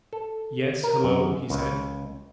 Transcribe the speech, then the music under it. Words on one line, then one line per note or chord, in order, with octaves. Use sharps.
"Yes--hello!" he said.
A4
A#4
F#2
C#2